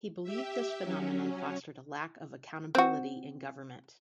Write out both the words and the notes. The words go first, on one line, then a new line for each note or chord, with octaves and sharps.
He believed this phenomenon fostered a lack of accountability in government.
G4 E5
F#3 C#4
C4 F#4